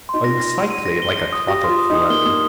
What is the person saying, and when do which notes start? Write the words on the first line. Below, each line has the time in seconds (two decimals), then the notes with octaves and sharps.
Unsightly like a clot of phlegm.
0.09 D#4 C6
0.24 F4 A#6
0.40 A#6
0.55 A#6
0.70 D#7
0.86 A#6
1.02 G7
1.17 A#6
1.33 D#6
1.48 G4 A#6
1.64 F4 C6
1.78 D#6
1.90 D#4
1.95 D#6
2.10 A#3 G7
2.25 A#3 D#6